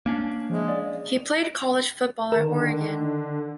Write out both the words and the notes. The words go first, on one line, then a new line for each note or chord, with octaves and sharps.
He played college football at Oregon.
A#3 C#4 D4
F3 G#3 E4
C#5 D5 F5
D3 D#3 A#4